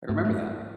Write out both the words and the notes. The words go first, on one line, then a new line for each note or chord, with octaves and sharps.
I remember that.
G#2 A3
A3